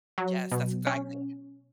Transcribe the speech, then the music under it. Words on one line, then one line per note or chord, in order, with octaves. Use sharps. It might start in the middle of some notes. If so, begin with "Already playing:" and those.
Yes, that's exactly
F#3
B2
C#4